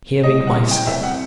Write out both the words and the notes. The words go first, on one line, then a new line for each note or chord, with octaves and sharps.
Hearing my step!
A2 D#5
G3
F#5
A2
F#3 G5
C2 E5
C3 F#5